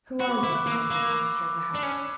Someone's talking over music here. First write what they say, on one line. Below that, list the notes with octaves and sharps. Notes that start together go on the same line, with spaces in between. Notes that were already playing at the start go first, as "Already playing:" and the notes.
"Who are you?" demanded the master of the house.
F#4 B5
D6
C#6
E4
F#6
A#3
E6
A#3 D6
D4
C#4